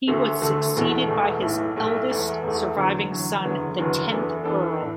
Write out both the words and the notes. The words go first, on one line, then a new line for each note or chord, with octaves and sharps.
He was succeeded by his eldest surviving son, the tenth Earl.
D2 D3 A3 F#4 A4
D2 D3 A3 F#4 A4
E1 E2 B2 A3
E1 E2 B2 A3
B1 A2 A3 E4
B1 A2 A3 E4
E1 E2 E3 A3
E1 E2 E3 A3
E2 D3 F#3
E2 D3 F#3
F#1 E2 D3 F#3 B3
F#1 E2 D3 F#3 B3
E2 E3 B3 D4 A4
E2 E3 B3 D4 A4
A2